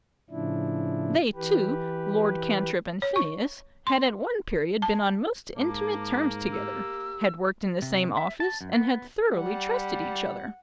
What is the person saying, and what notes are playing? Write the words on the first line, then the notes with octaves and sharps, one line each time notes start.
They two, Lord Cantrip and Phineas, had at one period been on most intimate terms together;--had worked in the same office, and had thoroughly trusted each other.
A2 C#3 F3 D4 E4
E3 G4 B4
C#5
C#6
C6
A5
G#2 A#3 A5 D6
G4 E6
C3
E5
A5
F#2
B3
G3 F#5